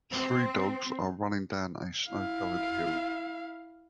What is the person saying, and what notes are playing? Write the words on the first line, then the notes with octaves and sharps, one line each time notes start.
Three dogs are running down a snow covered hill.
C4
E4 F5